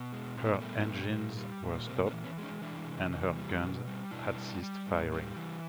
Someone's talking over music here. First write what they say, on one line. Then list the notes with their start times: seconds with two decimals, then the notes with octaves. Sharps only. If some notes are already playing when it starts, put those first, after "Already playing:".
Her engines were stopped and her guns had ceased firing.
Already playing: B2
0.13 G#3
0.37 A#2 C4
0.45 B3
0.53 A#3
0.60 G3 A3 B3
0.87 A#2
1.12 G3
1.37 G3
1.63 A#2
1.87 C3 A#3 C4
2.06 B3 C#4
2.13 E3
2.24 B3 C#4
2.38 G#3
2.43 C#4 D#4
2.61 E3 D4 E4
2.87 C3
3.11 E3
3.37 G3
3.62 B2
3.87 G3
4.11 B2 D4 E4
4.37 G3
4.62 G3
4.86 A2
5.12 G3
5.36 E3